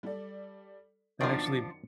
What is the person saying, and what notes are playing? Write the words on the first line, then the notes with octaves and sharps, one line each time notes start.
that actually
G3 A4 D5
F#2 B2 D#3 F3 B3 D4 D5
C#7